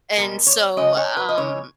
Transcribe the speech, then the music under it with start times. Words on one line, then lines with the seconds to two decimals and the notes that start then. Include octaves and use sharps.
And so, um,
0.17 B2 G#3 A#4
0.47 C#5
0.77 C#3 G#3 D#5
0.97 C#5
1.17 B4
1.29 D#5
1.37 C#3 G#3 C#5